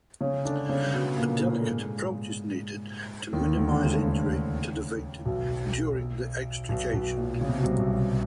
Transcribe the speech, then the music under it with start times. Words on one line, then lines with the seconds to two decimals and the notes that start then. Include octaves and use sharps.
A delicate approach is needed to minimize injury to the victim during the extrication.
0.21 C#3 C#4
0.45 D3 D4
0.69 C#3 C#4
0.93 B2 B3
1.17 A#2 A#3
1.41 A#2 A#3
1.61 A3
1.65 G#2 G#3
3.33 D#2 D#3
3.57 D2 D3
3.72 D3
3.82 C#2 C#3
5.26 B1 B2
6.69 B1 B2
6.93 B1 B2
7.18 A#2
7.41 C#3
7.49 C3
7.57 B2
7.64 C2 C3
7.78 B1 B2